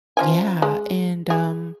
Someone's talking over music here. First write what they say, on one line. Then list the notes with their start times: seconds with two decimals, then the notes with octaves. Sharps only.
yeah, and, um,
0.17 F3 C#4 G#5
0.62 G#3
1.30 G#4